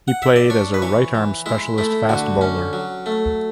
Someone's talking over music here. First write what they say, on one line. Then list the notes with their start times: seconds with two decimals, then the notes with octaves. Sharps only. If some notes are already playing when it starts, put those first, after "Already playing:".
He played as a right-arm specialist fast bowler.
0.08 F#5
0.22 E5
0.36 D5
0.50 D4 C#5
0.74 B4
0.82 E3 C#5
1.14 E3
1.46 G#3 E4
1.78 A3 E4
2.09 D3 F#4
2.41 C#4
2.73 F#3
3.06 A3